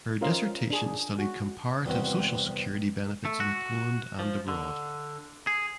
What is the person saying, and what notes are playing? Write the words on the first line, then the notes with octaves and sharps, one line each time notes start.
Her dissertation studied comparative social security benefits in Poland and abroad.
C#4 F4 A#4 C5 D#5 F5
D4 G#4
F#4
E2 G2 C3 D#3 C4 F#4
A3
F#4
F3
D3
G#4